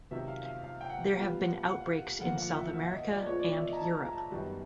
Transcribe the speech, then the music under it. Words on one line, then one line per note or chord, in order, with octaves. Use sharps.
There have been outbreaks in South America and Europe.
C3 D#3 F#3 E5
F5
F5
F5
G5
F#5
A#2 G3 B3 F5
F#5
F5
F#5
F5
F2 D3 F3 A#3 F#5
F5
E5
E5
D#5
D5
A#2 F3 G#3 B3 C#5
D5
E5
D#5
A#5
A5
A#5
A#5
A5
F#2 D#3 G3 B3